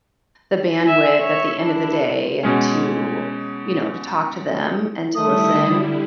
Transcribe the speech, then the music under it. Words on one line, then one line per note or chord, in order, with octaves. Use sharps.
the bandwidth at the end of the day to, you know, to talk to them and to listen.
E5 G#5
C#5 E5
D4 E4
B2 G#3 C#4
D3 G3 A3 E4 D#6